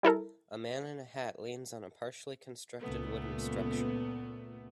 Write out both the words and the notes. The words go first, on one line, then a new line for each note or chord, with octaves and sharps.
A man in a hat leans on a partially constructed wooden structure.
G3 E4 A4 A#4
C#2 A#2 A3 B3